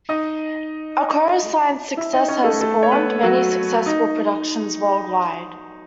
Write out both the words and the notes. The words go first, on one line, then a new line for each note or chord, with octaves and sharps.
"A Chorus Line"s success has spawned many successful productions worldwide.
D#4 D#5
E4 E5
D#4 D#5
C#4 C#5
A3 A4
A3 A4
C#5
B3 B4
F#3 F#4
D#4